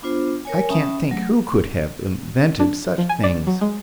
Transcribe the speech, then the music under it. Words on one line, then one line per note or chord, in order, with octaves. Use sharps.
I can't think who could have invented such things.
B3 D4 F4 C5
A#4 C#5 G#5
C#4 E5 G5 A5 B5 D#6
F#3 A3
D4
F3
G#5
D5
F#3
G#3